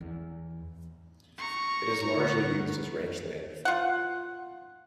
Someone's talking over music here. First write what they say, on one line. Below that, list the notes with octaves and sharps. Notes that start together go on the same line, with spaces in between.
It is largely used as ranch land.
E2
A#5 C#6
D2 B3
F4 F#5